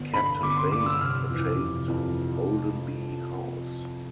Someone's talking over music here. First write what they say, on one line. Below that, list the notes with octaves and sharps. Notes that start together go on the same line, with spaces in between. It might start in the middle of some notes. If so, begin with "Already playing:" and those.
Captain Baynes purchased Holdenby House.
Already playing: G1
G2 D3 B5
G1 D6
C6
G2 D3 D6
E6
F1 F6
F2 E3
F1
F2 E3